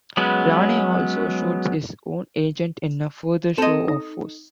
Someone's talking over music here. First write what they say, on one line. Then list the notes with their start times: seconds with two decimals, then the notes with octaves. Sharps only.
Rane also shoots his own agent in a further show of force.
0.17 F#3 G#3 B3 C#4 B4
3.58 C4 A4 D#5
3.88 D#4